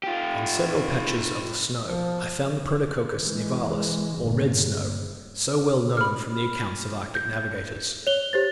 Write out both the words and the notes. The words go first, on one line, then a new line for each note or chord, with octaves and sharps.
On several patches of the snow I found the Protococcus nivalis, or red snow, so well known from the accounts of Arctic navigators.
F4 G4
F3
E3 G#3
G1 A#2
B5 F6
G6
C#5 F7 G7
G4 C5 A6